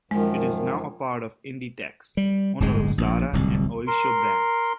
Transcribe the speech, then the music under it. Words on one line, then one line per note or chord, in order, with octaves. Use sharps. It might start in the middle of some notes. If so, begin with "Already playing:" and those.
It is now a part of Inditex, owner of Zara and Oysho brands.
F#2 D#3 F3 G#3
G3
D1 G1 G#2 G#3
A#1
D1 C2
A#4 C6